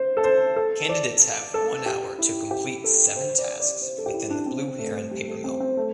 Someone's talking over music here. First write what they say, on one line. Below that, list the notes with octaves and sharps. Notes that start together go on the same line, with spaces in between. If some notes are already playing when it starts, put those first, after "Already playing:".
Candidates have one hour to complete seven tasks within the Blue Heron Paper Mill.
Already playing: C5
A4
C5
A4
D5
A4
G4
E4
G4
A4
C5
D5
D5
C5
A4
G4
E4
D4
C4
A3
G3
A3
C4
C4
A3